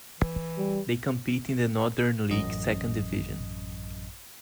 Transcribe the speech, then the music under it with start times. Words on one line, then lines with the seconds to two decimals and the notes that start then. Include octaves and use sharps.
They compete in the Northern League Second Division.
0.20 E3
0.58 G3
2.31 A1 F#2 D#5